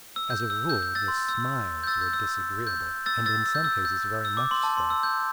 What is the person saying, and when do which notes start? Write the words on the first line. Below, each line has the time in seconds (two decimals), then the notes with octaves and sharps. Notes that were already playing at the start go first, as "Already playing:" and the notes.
As a rule the smiles were disagreeable, and in some cases very much so.
0.16 E6
0.30 G6
0.50 E6
0.69 G6
0.82 G6
0.95 E6 A6
1.08 C6
1.29 E6
1.83 G6
1.87 E6 A6
2.01 G6
2.13 E6
2.67 G6
3.06 E6 A6
3.26 E6 A6
3.46 E6
3.55 G6
3.64 E6
3.85 G6
4.25 E6
4.37 D6
4.51 C6
4.63 A5
4.77 C6
4.90 E6
5.03 G6